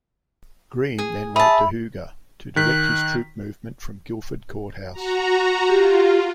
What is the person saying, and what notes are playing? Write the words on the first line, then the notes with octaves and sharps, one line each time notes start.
Greene then wrote to Huger to direct his troop movement from Guilford Courthouse.
G#4
G#4 E5 A5 B5
D#3 F#6 B6
F#4 A#5
F4 G4